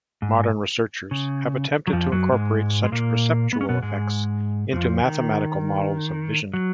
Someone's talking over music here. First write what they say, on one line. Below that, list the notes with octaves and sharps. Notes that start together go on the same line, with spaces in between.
Modern researchers have attempted to incorporate such perceptual effects into mathematical models of vision.
G#2
C#3
F#3
F2 F3
F#2 F#3
G#2 G#3
G#3
A#2 A#3
B3
C#4
B2 B3
G#2 G#3
F2 F3
D#3
F#3